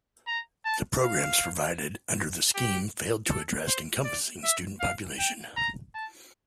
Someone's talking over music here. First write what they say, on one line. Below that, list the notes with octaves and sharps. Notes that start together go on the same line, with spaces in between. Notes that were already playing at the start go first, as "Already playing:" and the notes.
The programs provided under the scheme failed to address encompassing student population.
A#5
A5
F5
G4
A4
C5
D5
E5
F5
G5
A#5
A5